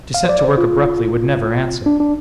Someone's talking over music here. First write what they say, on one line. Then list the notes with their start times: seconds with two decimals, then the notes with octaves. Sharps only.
To set to work abruptly would never answer.
0.14 F5
0.25 C5
0.29 D5
0.39 D5
0.44 C5
0.58 F4
1.86 D4
2.00 D4